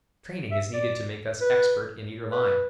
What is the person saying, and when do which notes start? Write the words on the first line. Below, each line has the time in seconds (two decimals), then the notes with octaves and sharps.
Training is needed to make us expert in either line.
0.51 E5
0.73 D5
1.41 B4
2.32 B4